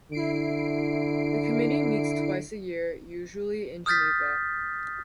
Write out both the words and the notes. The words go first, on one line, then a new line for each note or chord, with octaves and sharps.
The Committee meets twice a year, usually in Geneva.
D3 E4 C7 D7
D#6 F6 G6 A6 B6